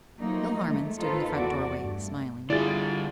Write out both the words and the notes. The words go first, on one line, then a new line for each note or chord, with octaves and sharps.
Bill Harmon stood in the front doorway, smiling.
F3 F#3 A3 A#3 D#4
G#3 A3
D#4 F4 A4 B4 C5
E2 F#4 D5
G2 A3
D3 G3 E4 F4 G#4 D5 A6